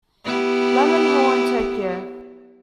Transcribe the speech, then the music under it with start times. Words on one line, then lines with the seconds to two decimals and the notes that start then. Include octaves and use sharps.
Lemon Hall in Tokyo.
0.24 B3 E4 G4